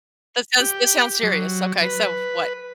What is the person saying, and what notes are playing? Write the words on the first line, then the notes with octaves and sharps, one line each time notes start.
That sounds that sounds serious. Okay. So what?
G4
F#3
B4